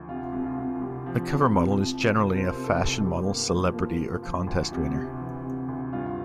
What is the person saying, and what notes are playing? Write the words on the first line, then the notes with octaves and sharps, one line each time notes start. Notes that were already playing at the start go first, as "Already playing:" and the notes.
The cover model is generally a fashion model, celebrity, or contest winner.
Already playing: D2 F3
C3 F4
C2
F4
C2
C2 G4
F3
C3
C2
C2
C2
C3 A#4
C5
A#4
C3
A4
C2
G1 G4
A#3
F3
A#3
A#3
F3
D2
C3
C3
E3
C3
D2
G2 F4